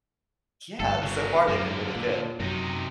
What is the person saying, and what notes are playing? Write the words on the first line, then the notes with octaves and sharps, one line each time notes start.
yeah, so far they've been really good.
G1 A4
C#3 F#3
F#2 D3 A#3
A#2
F#2 C3 F#3 D#4